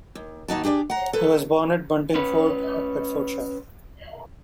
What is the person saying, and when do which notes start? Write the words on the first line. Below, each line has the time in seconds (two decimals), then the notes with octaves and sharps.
He was born at Buntingford, Hertfordshire.
0.15 D#2
0.48 D#2 D#4 F#4 A5
0.63 D4 G4 G#4 B4 D5
0.90 F#5 A#5
1.13 A4 B4
2.15 C#4 B4